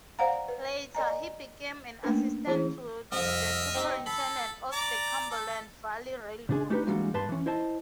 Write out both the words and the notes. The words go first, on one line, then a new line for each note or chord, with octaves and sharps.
Later, he became an assistant to the superintendent of the Cumberland Valley Railroad.
C5 D5 F5 F#5 A#5
B4
A#4 D5 D#5 G#5 A#5
A3 A#3 C#4 D4 A#4 B4
E3 C#4 E4 G#4 C#5
C2 F2 D#5 E5 F6
C4 D#4 G4
A4 B5
D5 A#5
A4
C#3 D4 G#4
A3 D4 D#4 G4 G#4 B4
E3 G3 G#3 A#3 D4 F#4
G2 B4 A5 C6
E3 C#4
E4 C5 D#5 A5